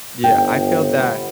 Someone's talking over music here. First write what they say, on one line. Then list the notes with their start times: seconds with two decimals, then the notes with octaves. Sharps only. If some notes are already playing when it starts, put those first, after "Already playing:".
Yeah, I feel that
0.24 G1 G5
0.98 B3